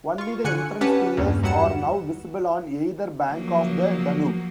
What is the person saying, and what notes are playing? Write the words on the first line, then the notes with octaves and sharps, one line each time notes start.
Only the entrance pillars are now visible on either bank of the Danube.
F4 C#6
D3 G#5 F#6 C#7
C#4 G4 B4 F#5 A5
E2 G2 A#2 C#3
E2 F#3 G3 F#5 C#7 E7
F3 F#3 A#3